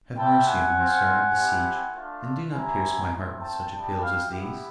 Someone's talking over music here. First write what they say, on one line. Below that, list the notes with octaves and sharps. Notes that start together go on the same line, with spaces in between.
Have mercy on me, sir, I beseech, and do not pierce my heart with such appeals as these.
G3 C4 E4 G5 A5
F#5 G#5
C4 F4
C4 E4 G4
A3 D4 F4
C4 E4 G4 G#5 A#5
A3 C4 E4
G5 A5
G3 B3 E4 G5 A5
F5 G5
B3 E4 G4